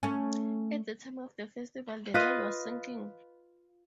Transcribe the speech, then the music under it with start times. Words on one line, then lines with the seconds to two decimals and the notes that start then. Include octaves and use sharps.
At the time of the festival, the Nile was sinking.
0.03 A3 C#4
2.14 F4 B4 D#5